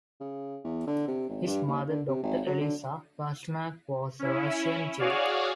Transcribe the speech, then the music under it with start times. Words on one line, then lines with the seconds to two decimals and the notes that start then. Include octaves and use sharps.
His mother Doctor Eliza Pasternak was a Russian Jew.
0.20 C#3
0.64 E2
0.87 D3
1.08 C3
1.29 G#1
1.46 G2
1.67 D#2
1.89 D3
2.08 C3
2.23 G#1
2.47 F#3
2.61 D3
4.19 C#4 E4
4.99 F#4 G#4 C#5 D5 F5